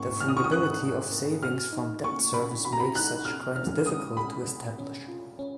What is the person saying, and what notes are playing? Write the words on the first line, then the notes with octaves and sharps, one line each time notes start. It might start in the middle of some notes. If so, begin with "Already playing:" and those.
The fungibility of savings from debt service makes such claims difficult to establish.
Already playing: G#2 A#3 C#6
D#3 F6
D#6
C#6
D#6
G#2 F#6
G#2
A#3
F#4 F6
D#4
A#3 C#6
B2 B5
F#4 B5
A#5
B5
D#4 F#6
B2 F6
C#4 F6
G#3 D#6
B2 B5
B2
C#4
F4
C#4